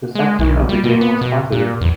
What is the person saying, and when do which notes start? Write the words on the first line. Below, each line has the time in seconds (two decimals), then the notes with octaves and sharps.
Reception of the game was positive.
0.15 G#3
0.39 B1
0.69 G3
0.84 B2
1.01 B3
1.21 B2
1.52 A#2
1.81 E2